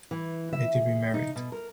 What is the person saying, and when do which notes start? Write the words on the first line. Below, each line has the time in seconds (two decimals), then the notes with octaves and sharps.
Betty remarried.
0.11 E3
0.53 E5
0.75 G#4
1.14 D#4
1.36 B2
1.52 A#4